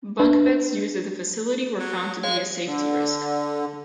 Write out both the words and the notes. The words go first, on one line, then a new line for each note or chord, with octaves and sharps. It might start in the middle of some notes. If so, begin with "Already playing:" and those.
Bunk beds used at the facility were found to be a safety risk.
D4 B4
F#3
G#3 C#5 F5
D3